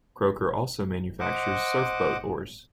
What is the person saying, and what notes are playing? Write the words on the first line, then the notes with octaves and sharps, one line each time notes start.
Croker also manufactures surf boat oars.
C5 D#5 F#5 D6